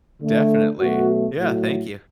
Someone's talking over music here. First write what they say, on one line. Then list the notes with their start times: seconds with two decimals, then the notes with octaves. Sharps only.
Definitely. Yeah, thank you.
0.22 D3 A3
0.80 B2 F#3 A3 F#4
1.37 A2 F#3 A3